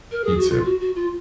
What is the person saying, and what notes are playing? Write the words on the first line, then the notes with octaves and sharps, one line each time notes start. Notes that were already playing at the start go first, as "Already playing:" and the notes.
You too.
A#4
G#4
F#4
F4
F#4
F#4
F4